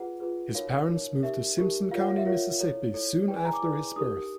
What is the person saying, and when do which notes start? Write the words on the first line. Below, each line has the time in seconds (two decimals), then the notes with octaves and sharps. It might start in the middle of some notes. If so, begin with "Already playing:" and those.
His parents moved to Simpson County, Mississippi soon after his birth.
Already playing: F4 G#4 B4 F#5
0.20 F4 G#4 B4
0.54 D#4 F#4 A#4 C#5 F5
0.89 D#4 F#4 A#4 C#5
1.23 D#4 G4 A#4 E5
1.57 D#4 G4 A#4
1.91 F4 A#4 C#5 F5
2.00 F#5
2.08 F5
2.17 E5
2.25 F4 A#4 C#5 F5
2.60 E4 A4 C#5
2.94 E4 A4 C#5
3.28 E4 G#4 B4 D5 G5
3.36 G#5
3.45 A#5
3.53 D6
3.62 E4 G#4 B4 D5
3.96 D#4 G4 A#4 D#6